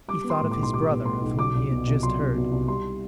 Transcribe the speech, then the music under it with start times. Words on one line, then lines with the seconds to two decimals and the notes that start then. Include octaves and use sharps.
He thought of his brother, of whom he had just heard.
0.08 G3 D6
0.24 B3
0.30 C6
0.41 A2
0.51 D6
0.57 B1
0.63 C6
0.73 G3 D6
0.89 B3
1.05 A2 C6
1.22 B1
1.38 F#3 D6
1.55 C2
1.71 B2
1.87 C2
2.03 F#3 C6
2.19 C2
2.36 B2
2.51 C2
2.67 G3 C6